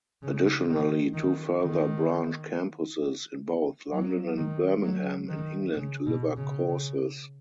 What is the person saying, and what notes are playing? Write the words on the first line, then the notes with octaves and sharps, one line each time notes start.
Additionally, two further branch campuses in both London and Birmingham in England deliver courses.
C#3
D#3
D#3
D#3
F#3
D#3
F#3
D#3
C#3
B2
C#3
C#3